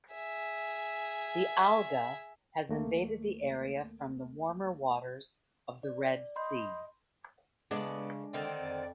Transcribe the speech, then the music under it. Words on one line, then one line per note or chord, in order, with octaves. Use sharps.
The alga has invaded the area from the warmer waters of the Red Sea.
G#4 E5
D#2 A3 A#3
D5
D#5 B5 C6 G6
C#3 G#3 B3 D4 D5
D3 D#3 C4 D5
F2